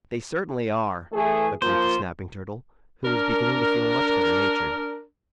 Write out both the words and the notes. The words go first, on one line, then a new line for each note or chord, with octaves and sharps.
"They certainly are," agreed the Snapping Turtle, who was beginning to feel much better natured.
E3 A3 G#4
F3 A#3 F4 C5
D4 A#4